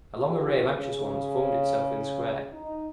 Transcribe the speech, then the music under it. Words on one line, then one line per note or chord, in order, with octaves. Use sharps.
A long array of anxious ones formed itself in the square.
E2 D#3 F3 D#4 G4
C#3
D#4